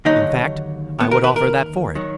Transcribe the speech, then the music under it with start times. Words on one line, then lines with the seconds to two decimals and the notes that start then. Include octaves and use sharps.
In fact, I would offer that for it.
0.05 D#2 D3 F#3 D#4
1.00 B3
1.11 A#4
1.24 B4
1.36 A#4
1.95 D#3 F#3